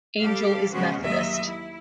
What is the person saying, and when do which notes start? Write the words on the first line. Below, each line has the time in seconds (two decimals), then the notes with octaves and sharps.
Angel is Methodist.
0.19 G3 G4 A4 F5
0.71 C#3 G#3 B3 C#4 F#4 C5
1.02 D#2 F#3 G#3 D#5 E5
1.43 E4